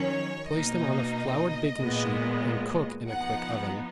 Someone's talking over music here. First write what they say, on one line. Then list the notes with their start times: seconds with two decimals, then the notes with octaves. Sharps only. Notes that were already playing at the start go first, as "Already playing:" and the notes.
Place them on a floured baking sheet and cook in a quick oven.
Already playing: D#3 F#3 C#4 C#5
0.51 B2 A#3 D#4 D#5
1.80 A#2 G#3 B3
3.09 F3 B3 D#4 F#5